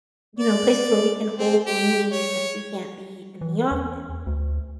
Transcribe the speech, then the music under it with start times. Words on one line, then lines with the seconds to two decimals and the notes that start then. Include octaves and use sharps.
you know, places where we can hold meetings if we can't be in the office.
0.39 D5
1.38 C4
1.66 G4
2.12 C#5
3.41 E3
3.71 E2
4.27 D2